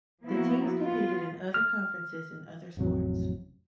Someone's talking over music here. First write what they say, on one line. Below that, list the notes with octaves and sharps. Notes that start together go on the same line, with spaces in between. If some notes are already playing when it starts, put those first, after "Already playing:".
The teams competed in other conferences in other sports.
F3 A#3 B3 E4 F#4
B3 F4
F6
A1 F2 C3 F#3